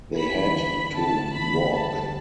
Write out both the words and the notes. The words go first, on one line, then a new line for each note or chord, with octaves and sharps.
They had to walk.
E4 B5
E2
D3
D3
E4 A5
A3
E2 B5
D3
G3 A5
G3